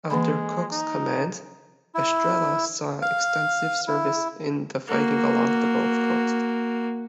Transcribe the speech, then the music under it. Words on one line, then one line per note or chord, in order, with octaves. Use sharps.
Under Cooke's command, "Estrella" saw extensive service in the fighting along the Gulf Coast.
E3 G#3 A#3 B5
D#4
E4
F5
E4
A#3 F#4